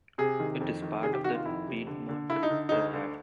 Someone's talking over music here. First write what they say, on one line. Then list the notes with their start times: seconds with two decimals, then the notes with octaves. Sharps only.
It is part of the Piedmont Triad.
0.18 C3 G#4
0.40 D#3
0.60 F2
0.82 D#3
1.03 C3 G#4
1.13 G4
1.24 D#3 F#4
1.34 F4
1.45 F2 E4
1.66 C3
1.87 D3
2.09 D3
2.30 D3 E4
2.43 D#4
2.50 D3
2.69 D2 D#4
2.93 D3